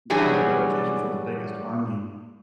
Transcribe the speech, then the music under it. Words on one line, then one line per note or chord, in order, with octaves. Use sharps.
had the reputation for the biggest army.
E3 F#3 G3 D4 F#4 G#4